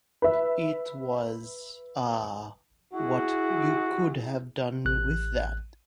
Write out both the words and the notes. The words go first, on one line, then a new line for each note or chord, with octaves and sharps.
It was, 'ah, what you could have done with that.
B4 E5
E4 F#4 G#4
A1 F#6